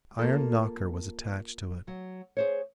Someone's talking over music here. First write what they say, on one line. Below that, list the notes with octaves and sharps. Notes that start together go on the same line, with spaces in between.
An iron knocker was attached to it.
A#3 F4 A4
F#3
G#4 C5 C#5